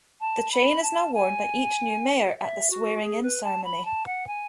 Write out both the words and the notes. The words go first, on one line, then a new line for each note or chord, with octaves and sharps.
The chain is now worn by each new mayor at the swearing-in ceremony.
A5
B5
A5
G#5
E5
F#4
G#4
B4
A5
B5
A5
F#5
G#5